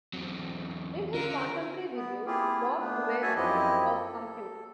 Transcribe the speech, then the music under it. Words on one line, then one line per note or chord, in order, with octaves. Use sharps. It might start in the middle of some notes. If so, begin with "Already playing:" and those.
In his contemporary review, Bob Guerra of Compute!
E2 F#3 C4
D3 C#4 F4 A#4
B3
A#3 C4 E4 F4 G4 G#4
A3 B3 D4
A#3 F#4 C#5 E5 G#5 A5
F#2 F3 C4 E4 G4 D#5
A4